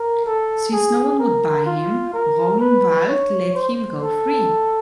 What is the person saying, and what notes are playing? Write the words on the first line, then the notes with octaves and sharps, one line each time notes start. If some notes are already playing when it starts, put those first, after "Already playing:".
Since no one would buy him, Rognvald let him go free.
Already playing: A#4
A4
G#4
A#4
F4
A#4
B4
C#5
C5
A4